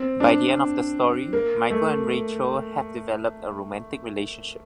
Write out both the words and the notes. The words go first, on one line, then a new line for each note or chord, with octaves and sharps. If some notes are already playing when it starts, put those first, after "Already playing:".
By the end of the story, Michael and Rachel have developed a romantic relationship.
Already playing: C4
D4
A#3
A3